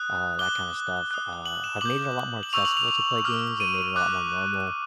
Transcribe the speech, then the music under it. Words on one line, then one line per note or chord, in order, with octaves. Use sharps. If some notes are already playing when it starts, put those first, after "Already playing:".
uh, that kind of stuff, uh, have made it a lot more accessible to play games, and made it a lot more normal,
Already playing: D#6 F#6
D6 F#6 G7
D#6 F#6
F#7
E7
D6 G6 F#7
F#7
C#6 E6 G6 F7
F#7
F7
F7
D6 F6
D#7
D6 F#6